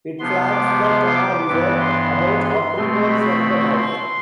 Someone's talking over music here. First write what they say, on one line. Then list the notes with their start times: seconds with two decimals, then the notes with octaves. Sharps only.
It flanks the Tama River about upriver from the mouth.
0.19 C3 F3 B3 C6
0.52 D6
0.84 C6
1.15 D6
1.48 G2 E3 B3 D6
1.80 C6
2.45 C6
2.76 B2 A3 C4 C6
3.09 B5
3.73 C6